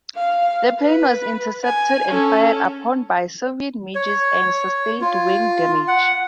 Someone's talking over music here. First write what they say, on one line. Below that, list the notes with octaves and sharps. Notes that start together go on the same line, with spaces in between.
The plane was intercepted and fired upon by Soviet MiGs and sustained wing damage.
F5
B4
G#5
C#4 A4
C#5
F4
F#5